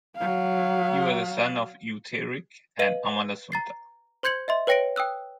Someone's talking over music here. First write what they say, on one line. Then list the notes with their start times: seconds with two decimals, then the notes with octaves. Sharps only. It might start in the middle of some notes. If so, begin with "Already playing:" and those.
He was a son of Eutharic and Amalasuntha.
0.16 F#3 F5
2.79 B4 D#5 F5 D#7
3.52 A#5 A6 C7
4.23 C5 C6 G6 G#6 C#7 F#7
4.48 D#5 E5 C6
4.67 B4 C#5 G5 A#6 C#7 D7
4.96 G5 D#6 E6 F#6